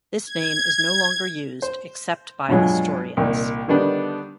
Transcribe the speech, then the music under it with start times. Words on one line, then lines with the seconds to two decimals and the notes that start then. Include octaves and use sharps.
This name is no longer used except by historians.
0.24 G#6
1.62 C5
2.48 G2 B2 F3 F#3 G#3
3.17 C2 A#2 D#3
3.68 D3 D#3 G3 B3 D4